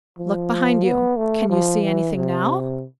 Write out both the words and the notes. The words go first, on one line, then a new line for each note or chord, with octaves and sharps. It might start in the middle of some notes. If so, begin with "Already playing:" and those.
'Look behind you! can you see anything now?'
F3
B3
A3
F3
E3
C3